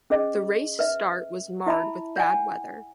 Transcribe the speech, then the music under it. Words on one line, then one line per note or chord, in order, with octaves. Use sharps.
The race start was marred with bad weather.
C#4 G#4 C5 D#5
B4 E5
E4 E5 A5 B5
C#5 F#5 G#5